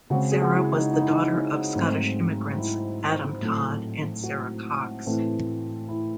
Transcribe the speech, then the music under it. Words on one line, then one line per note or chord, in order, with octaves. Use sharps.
Sarah was the daughter of Scottish immigrants Adam Todd and Sarah Cox.
C#3 G#3 C4 F#4
G#4
F#4
E4
D#4
D#4
E4
D#4
G#2 F#3 A3 C4
E4
A2 F#3 A3 C4
F#4
A2 E3 A3 C4
E4